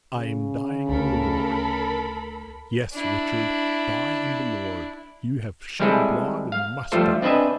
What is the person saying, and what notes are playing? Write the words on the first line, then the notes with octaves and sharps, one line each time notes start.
I am dying in the Lord.' 'Yes, Richard, die in the Lord; you have shed blood and must die.
C#3
D2 A4 A#4 B5
D4 E4
G3 G#3 C4 E4 G#4 A4
F5
F3 G3 A3 F4 A4 C5
C4 D4 B4 D#5 E5 G#5